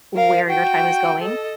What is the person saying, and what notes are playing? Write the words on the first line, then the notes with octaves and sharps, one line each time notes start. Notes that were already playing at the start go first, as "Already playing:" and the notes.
where your time is going
A#4 F5
F#4 G5
A4 D#5